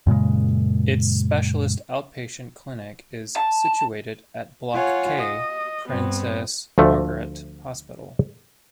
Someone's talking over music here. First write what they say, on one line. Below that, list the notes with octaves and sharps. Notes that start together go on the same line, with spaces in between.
Its specialist outpatient clinic is situated at Block K, Princess Margaret Hospital.
F#2 A#2 C#3 G#3
A5
F4 C#5 F#5 G#5
D#5
G2 B3 C4
D2 F3 A3